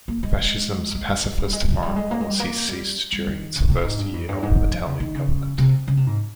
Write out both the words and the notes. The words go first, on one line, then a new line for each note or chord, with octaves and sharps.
Fascism's pacifist foreign policy ceased during its first year of Italian government.
A#3
G#3
G#3
G#3
G#3
G3
G#3
G3
F3
G3
G#3
A#3
G#3
G3
A#3
G3
G3
D#3
C#3
C3
G#2
G2
F2
G2
G#2
F3
C#3
D#3
C#3
C3
C#3
C3
G#2